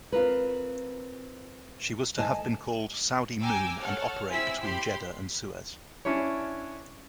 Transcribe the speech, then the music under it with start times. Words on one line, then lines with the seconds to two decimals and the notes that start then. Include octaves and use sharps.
She was to have been called "Saudi Moon" and operate between Jeddah and Suez.
0.12 C4 F4 A#4 B4
2.17 D2 D#5 G#5 A5
3.41 G5 G#5 A#5 D6 E6
3.81 A4 C#5 F#5 F6
4.29 C4 E4 G#4 C5 E6 B6
4.63 G4 B5 C6
6.05 C#4 D4 E4 C#5